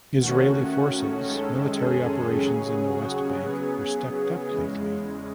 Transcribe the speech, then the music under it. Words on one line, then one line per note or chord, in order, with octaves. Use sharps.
Israeli forces military operations in the West Bank were stepped up lately.
D#2 D#3 A3 C#4 F#4
F#2 D#3 G#3 C#4 A4
G#4
D#2 C#3 F#3 C#4
F#4
C#3 F#3 B3 G#4
E2 C#3 G#3